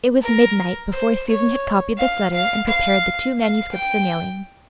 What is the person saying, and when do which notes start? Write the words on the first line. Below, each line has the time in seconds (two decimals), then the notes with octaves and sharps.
It was midnight before Susan had copied this letter and prepared the two manuscripts for mailing.
0.22 A#4
0.92 C5
1.28 C#5
1.98 F5
2.33 F5
2.68 F5
3.39 F5
3.73 G5